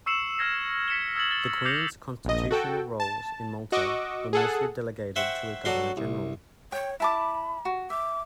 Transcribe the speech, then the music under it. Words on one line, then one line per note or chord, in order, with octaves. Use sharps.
The Queen's constitutional roles in Malta were mostly delegated to a Governor-General.
C#6 E6 C7 C#7 E7 F#7
E6 F6 G#6 A#6 C7
B6 C#7 E7 G7
D#6 E6 G#6 A6 F#7
A6 G7
D6 G6 A#6 C7 C#7 F7
A#1 D#5
F#4 A4 G5
A5
F#4 D#5 F#5 C#6 D6 E6
G#4 A4 F#5
C5 E5 F#5 G5 C#6
F#3 F#4 A4 D5 C6
C2
C#5 G5
E4 A5 B5 D6
F#4
E5 D6